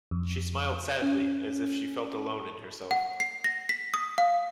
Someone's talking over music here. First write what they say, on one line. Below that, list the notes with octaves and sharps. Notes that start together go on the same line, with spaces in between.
She smiled sadly, as if she felt alone in herself.
F2
C#4
F#5
C7
A#6
B6
D#6
F5